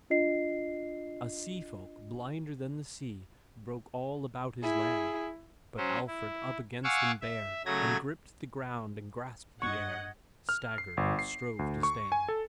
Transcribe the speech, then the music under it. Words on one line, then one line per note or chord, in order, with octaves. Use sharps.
A sea-folk blinder than the sea Broke all about his land, But Alfred up against them bare And gripped the ground and grasped the air, Staggered, and strove to stand.
D4 F4 D#5 C7
E4 G#4
F#3 C#4 C5
E4
F5 F#5 G#5 C#6 D6 E6
E5
C#3 F#3 A3 G#6 A#6
G2 G3 D#5 F#5 C#6 G#6
F6
C7
G1
C7
D2
C#6
G#5
A4